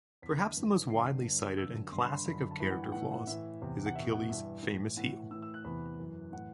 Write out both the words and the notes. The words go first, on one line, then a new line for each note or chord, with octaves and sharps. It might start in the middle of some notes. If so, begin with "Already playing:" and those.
Perhaps the most widely cited and classic of character flaws is Achilles' famous heel.
E2 D3 B6
G2 E3
G2 D3 C7
G2 D3
F#2 D3 E6
G2 D3 B5 C6
C6
F#2 D3 B5
A5
G2 E3 B5
F#5
G5
A2 E3 F#5
E5
F#5
A2 E3 E5
E2 C3 E3
F#5
E2 B2 E5
F#5
G2 E3 E5
A2 E3
A2 E3 F#5
A2 E3 E6
E6
F#6
E2 C3 E3 B5
F#2 E3
A2 E3 F#5